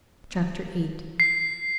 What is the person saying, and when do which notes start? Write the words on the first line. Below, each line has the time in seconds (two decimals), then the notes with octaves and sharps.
Chapter VIII.
1.20 C7